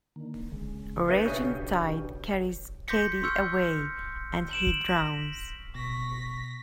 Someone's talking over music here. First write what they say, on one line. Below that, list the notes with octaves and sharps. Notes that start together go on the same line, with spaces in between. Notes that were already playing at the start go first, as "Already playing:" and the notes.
A raging tide carries Cady away, and he drowns.
D3 D#3 A#3
C#3 G#3
B3 D4 D#4 G4 B4 E5
B1 C#3 C#5 G6
C6 D6 G6 A#6 B6 C#7
C6 C#6 E6 F6 G6 C#7
D7 E7 F#7
A#6 B6
B2 C#6 A#6 B6